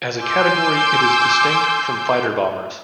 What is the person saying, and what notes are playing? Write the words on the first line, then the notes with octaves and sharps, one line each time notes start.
As a category, it is distinct from fighter-bombers.
G#5 C6 D6 E6 G6